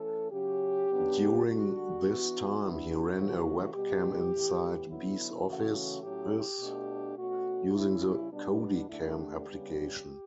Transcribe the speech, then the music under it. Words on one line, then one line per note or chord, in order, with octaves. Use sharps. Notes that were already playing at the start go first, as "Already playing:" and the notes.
During this time, he ran a webcam inside Be's offices using the CodyCam application.
Already playing: E3 A3 C#4 A4
C#3 F#3 C#4 G4
C#3 F#3 B3 D4
D3 G3 D4 F#4
E3 B3 D4
E3 B3 D4 E4
F#4
C#3 E3 A3 C#4
B2 G3 B3 G4
A2 E3 B3
D3 F#3 B3 E4
C#3 E3 A3 C#4 F#4
A2 F#3 C#4 G4
B2 A3 D4
B2 A3 C#4 F#4
C#3 G3 C#4 E4
B2 G3 B3 D4
D3 A3 D4 E4
G4
C#3 G3 B3 D4